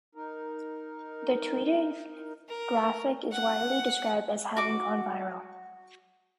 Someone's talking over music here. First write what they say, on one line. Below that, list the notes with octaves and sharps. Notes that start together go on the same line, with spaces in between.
The tweeted graphic is widely described as having gone viral.
D#4 A#4
A#4
F#5
F#4 D6